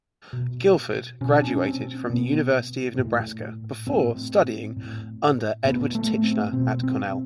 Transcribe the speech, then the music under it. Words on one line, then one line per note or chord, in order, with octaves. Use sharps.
Guilford graduated from the University of Nebraska before studying under Edward Titchener at Cornell.
B2
B2 C#4
D4
C#4
C4
B2 B3
A2
A2 C4
A2
A2 B3
A3
C4
B2 C4
C4